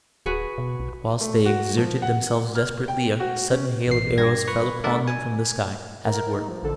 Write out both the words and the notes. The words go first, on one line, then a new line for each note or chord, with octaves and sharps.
But whilst they exerted themselves desperately a sudden hail of arrows fell upon them from the sky, as it were.
D1 F#4 G#4 B4
B2
B1
A3
F#4
F3
F#5
F6
G5
F#4
C#4
A1 C7
G2 G#6 A#6
B4 B5 C#6
A3 D4 A#4 D5 E5 F#5
G#5
A#4
D#4
F3
A1 D3 A4